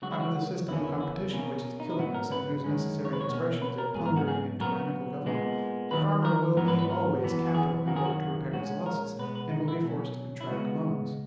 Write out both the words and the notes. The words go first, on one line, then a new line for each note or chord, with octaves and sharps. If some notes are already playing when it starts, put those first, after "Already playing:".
Under the system of competition which is killing us, and whose necessary expression is a plundering and tyrannical government, the farmer will need always capital in order to repair his losses, and will be forced to contract loans.
C#2 C#3 F#3 F#4
E4
F#4
E2 C#3 E3 A#3 C#4 E4
E4
E4
B2 A#3 C#4
D#4
E4
G#2 F#3 B3 F#4
A#4
B4
F#2 D#3 G#3 C#4
C#5
B4
C#5
B2 A#3 C#4
B4
A#4
G#2 F#3 B3 G#4
A#4
F#4
G#4
A#2 F#3 B3 A#4
A#2 G#3 B3
D#2 D#3 F#3 B4
A#4
G#2 F#3 B3 A#4
B4
B4
A#4
F#2 E3 B3
F#4
G#4
F#2 D#3 F#3 A#3 F#4
G#4
F#4
A#2 G#3 C#4 F#4
A#4
B2 G#3 B3 B4
B4
D#4
E4
B2 F#3 C#4
E4
C#2 C#3 G#3 B3 F#4